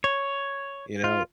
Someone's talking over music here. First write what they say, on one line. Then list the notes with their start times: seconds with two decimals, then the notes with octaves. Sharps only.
you know.
0.04 C#5
1.04 F4